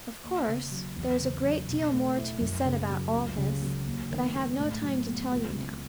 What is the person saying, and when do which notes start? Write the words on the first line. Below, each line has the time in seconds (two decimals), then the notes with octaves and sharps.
Of course, there is a great deal more to be said about all this: but I have no time to tell you now.
0.24 D#2
0.47 C#3
0.72 F#3
0.96 E2
1.20 C#3
1.44 F#3
1.68 B2
1.92 A3
2.17 E4
2.41 F#2
2.65 C#3
2.90 F#3
3.13 C#2
3.37 C#3
3.62 F#3
3.86 D#2
4.11 D#3
4.35 G#3
4.59 A2
4.83 F#3
5.07 B3
5.31 C#2
5.56 C#3